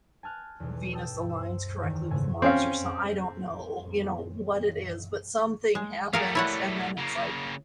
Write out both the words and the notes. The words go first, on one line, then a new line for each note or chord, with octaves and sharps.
Venus aligns correctly with Mars or some I don't know, you know, what it is, but something happens, and then it's like,
G#5 A5 F6 F#6
B1 E2
E5 G5 A5 D#6 E6
C5 E6
E2 D#3
G#2 C#3 A3 E5 G#5
C4 C#4 F5
G#3
G3 A3 G#4 A#4 F5
E4 C#5 F#5
C#3 A#3